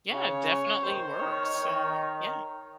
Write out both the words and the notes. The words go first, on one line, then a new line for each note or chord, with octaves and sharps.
Yeah, definitely works. Um, yeah.
C#3 C#5
D#3 C5
D#3 C#5
D#3